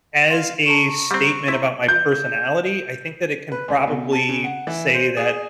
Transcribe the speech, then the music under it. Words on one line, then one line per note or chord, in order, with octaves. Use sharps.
as a statement about my personality, I think that it can probably say that
F5 C6
A4 A#4 D5 C#6
G3 C4 A#4 D5 F#5
E4 C5 E5 A#5
G6
B4
C#2
B2
A5
C#3
F#5
E3
C5
G#4